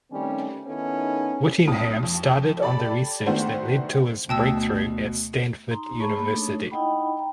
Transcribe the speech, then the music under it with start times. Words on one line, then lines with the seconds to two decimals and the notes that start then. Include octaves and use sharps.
Whittingham started on the research that led to his breakthrough at Stanford University.
0.11 D#3 G3 A3 C4 C#4
0.67 D#3 B3 C#4 D#4 E4 A4
1.67 B1 C4 A5 D#6
2.03 F2
2.61 G4 A4 D5 A5 B5
3.26 D#3 A3 B3 D4 F#4 C5
4.29 D2 B2 G5 A5 E6
5.71 D#4 A#5 C6
6.00 G#4 A4 C#5 A5 B5 C#6
6.14 A3 A#3 B5
6.32 A3 D4 D#4 A4 C#5
6.71 D#4 E4 D#5 F#5 G5 B5
7.17 G5 A#5